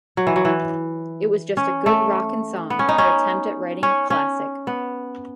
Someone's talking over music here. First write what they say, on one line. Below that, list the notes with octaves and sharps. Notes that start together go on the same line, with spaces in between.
It was just a good rockin' song, our attempt at writing a classic...
F#3
E3
F#3
E3
C#4
A3
B3
C#4
D#4
C#4
C#4
C#4
B3